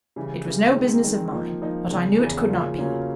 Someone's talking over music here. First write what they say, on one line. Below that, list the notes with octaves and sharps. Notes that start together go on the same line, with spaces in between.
It was no business of mine; but I knew it could not be.
C#3 E3 G3
C#3 E3 G3
D#3 G#3 C4
D#3 G#3 C4
F3 A#3 D#4
F3 A#3 D#4
E2 C#3 E3
E2 C#3 E3
C#3 F#3 A#3 C#4 F4
C#3 F#3 A#3 C#4 F4